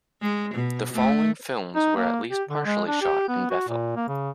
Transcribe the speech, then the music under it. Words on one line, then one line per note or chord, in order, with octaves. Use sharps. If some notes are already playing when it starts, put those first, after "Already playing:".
The following films were at least partially shot in Bethel.
G#3
B2
A3
D#4
A#3
G4
D3
G#3
D4
G4
B3
F#4
A#2
A#3
C#3